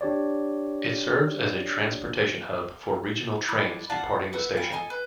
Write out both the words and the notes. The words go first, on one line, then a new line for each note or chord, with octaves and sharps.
It serves as a transportation hub for regional trains departing the station.
D4 G4 C#5 D5
D4 E4 D#5
D5 F5 F#5 A5
B4 E5 F#5
F5 G5 G#5 B5
A4 D#5 G#5
B4